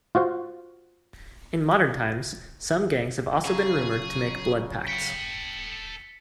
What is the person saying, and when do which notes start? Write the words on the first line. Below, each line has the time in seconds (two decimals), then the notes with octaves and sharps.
In modern times, some gangs have also been rumored to make blood pacts.
0.15 F4 F#4 C5 F5
3.45 C#3 F#3 G#4
4.88 A4 G5 B6 C#7